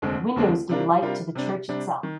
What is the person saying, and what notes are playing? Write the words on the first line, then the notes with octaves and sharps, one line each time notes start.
Windows give light to the church itself.
F1 D#2 D3 G#3 C4
F1 D#2 D3 G#3 C4
C3 G3 D4 F4 A#4
C3 G3 D4 F4 A#4
C3 G3 D4
C3 G3 D4
D#3